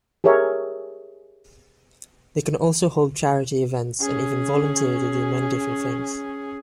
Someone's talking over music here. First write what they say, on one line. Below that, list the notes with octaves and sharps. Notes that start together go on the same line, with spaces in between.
They can also hold charity events and even volunteer to do many different things.
G4 G#4 A#4 C#5 E5
C#4 G#4